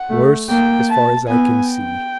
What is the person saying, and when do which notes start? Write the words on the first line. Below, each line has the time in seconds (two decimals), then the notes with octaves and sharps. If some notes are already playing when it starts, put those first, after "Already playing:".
'Worse, as far as I can see.
Already playing: F#5
0.10 A3
0.49 A#3 G5
0.90 A5
1.29 B3 G#5
1.69 G5